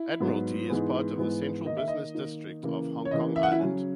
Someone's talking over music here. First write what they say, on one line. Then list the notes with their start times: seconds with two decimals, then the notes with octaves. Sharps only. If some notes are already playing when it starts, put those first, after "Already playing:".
Admiralty is part of the Central Business District of Hong Kong Island.
Already playing: E4
0.20 G#2 F#3 B3
0.69 G#2 E3 G#3 B3
1.17 G#2 E3 G#3 B3
1.65 D#3 A#3 D#4 D#5
1.77 E5
1.88 D#5
2.15 D#3 A#3 D#4
2.63 C#3 E3 A#3
3.05 C#5
3.11 C#3 D#5
3.14 E3 A#3
3.36 E5
3.43 F#5
3.52 E4 E5
3.60 C#3 F#3 C#4